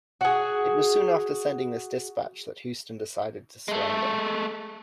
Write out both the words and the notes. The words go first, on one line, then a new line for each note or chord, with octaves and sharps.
It was soon after sending this dispatch that Heuston decided to surrender.
F#4 G#4
G#3 A3